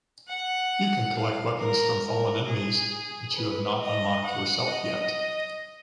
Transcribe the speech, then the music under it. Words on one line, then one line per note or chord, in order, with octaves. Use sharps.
You can collect weapons from fallen enemies that you have not unlocked yourself yet.
F#5
F5
A#4
A#4
G#4
B4
D#5
F#5
D#5